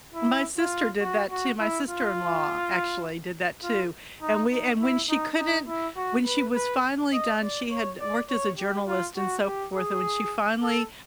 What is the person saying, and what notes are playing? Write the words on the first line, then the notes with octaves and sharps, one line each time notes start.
my sister my did that too, my sister-in-law actually, did that too. And we and when she couldn't when she was finally done, she had worked as a journalist and so forth, and when she finally
E4
F4
F#4
F#4
E4
F4
F4
D#4
D#4
E4
D#4
D#4
E4
F#4
B4
B4
D#5
D5
C#5
D5
C#5
G4
F4
F#4
G4
G#4
A4